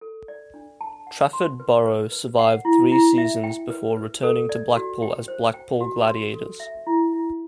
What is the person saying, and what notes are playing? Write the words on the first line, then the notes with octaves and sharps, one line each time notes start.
Trafford Borough survived three seasons before returning to Blackpool as Blackpool Gladiators.
A4
D5
D4
A5
F#5
C6
B4
B4
B4
F#5
E4
E4
E5
G5
B4
B4
A4
D5
F#4
G5
C5
G5
F#4
C6
A4
E5
E4
E4